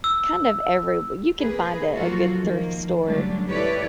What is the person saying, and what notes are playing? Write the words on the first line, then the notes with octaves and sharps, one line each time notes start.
kind of everywhe you can find a a good thrift store
E6
A#3 G#4 B4
F3 F#3 A#3 F4 F#4 A4
D#3 F3 A#3
D3 F#3 G3 A3 C#4 D4
E4 G4 A4 B4 C#5 D5